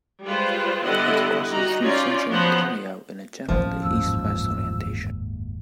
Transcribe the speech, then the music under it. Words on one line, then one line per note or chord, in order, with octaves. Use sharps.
It crosses through central Ontario in a generally east-west orientation.
G3 G#3 F4 B4 C5
D3 G3 B3 E4 D#5 F#5
G3 D#4 F#4 D#5 A#5
C#4 D#4 F4 D5
F3 F#3 B3 C5 F#5 A#5
A1 F3 C#4
F#1 D#2 G#2 E6